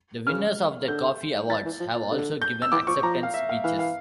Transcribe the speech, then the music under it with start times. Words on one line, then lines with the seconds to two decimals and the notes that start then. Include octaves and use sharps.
The winners of the Koffee Awards have also given acceptance speeches.
0.27 C#3 F6
0.88 D3 G6
1.49 E3 A6
1.65 E3
1.80 F3
1.95 A#2
2.11 D3
2.42 G6
2.62 E6
2.72 E3 D6
2.87 F3 C#6
3.03 F3 A#5
3.23 F5
3.34 E5
3.49 F5
3.64 E3 F5
3.79 F5